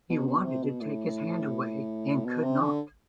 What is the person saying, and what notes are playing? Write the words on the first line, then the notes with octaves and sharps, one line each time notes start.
He wanted to take his hand away, and could not.
B2
B2
C3
B2
A2
B2
C3
D3